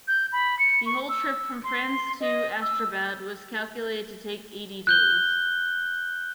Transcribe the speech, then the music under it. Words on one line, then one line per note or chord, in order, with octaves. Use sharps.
The whole trip from France to Astrabad was calculated to take eighty days.
G6
B5
C#7
C#6
E6
C6
D#5
E6
F#6 G6 G7